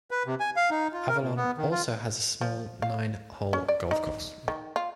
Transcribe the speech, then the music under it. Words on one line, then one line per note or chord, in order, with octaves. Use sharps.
Avalon also has a small nine-hole golf course.
B4
C3
G#5
F5
D#4
F4
A#4
A#2
B3
D#3
F4
F3
F5
C#4
D5
D#4
D#3
F4